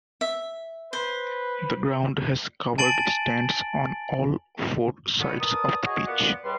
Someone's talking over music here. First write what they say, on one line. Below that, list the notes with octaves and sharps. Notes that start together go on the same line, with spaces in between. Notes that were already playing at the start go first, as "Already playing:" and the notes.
The ground has covered stands on all four sides of the pitch.
E5
B4 C5
G#5 A5 A6 D7 F#7
D3 D#3 F#3 B3
A#4 B4 D5 A5 D#6
F#4 G#4 C#5 D#5
A#2 B3 D5 F#5
C#2 G3 B4 C6